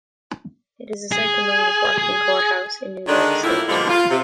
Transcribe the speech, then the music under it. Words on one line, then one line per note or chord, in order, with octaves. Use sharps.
It is the second oldest working courthouse in New York State.
G#4
G#4
D3 D#3 G#3 D4
A2 F3 A#3 E4
B2 D3 F3 G3 G#3 A#3
F4
C3